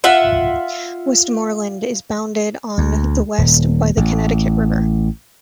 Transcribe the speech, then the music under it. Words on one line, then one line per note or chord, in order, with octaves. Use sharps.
Westmoreland is bounded on the west by the Connecticut River.
F4 E5 F#5
D2
D#1
A1